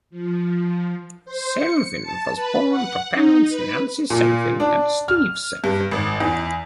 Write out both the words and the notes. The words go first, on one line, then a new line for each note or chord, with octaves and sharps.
Selvin was born to parents Nancy Selvin and Steve Selvin.
F3
C5
C#7
A5
B4
F#5
D#4
B4
A#2
D4
F6
G2
G#1
E2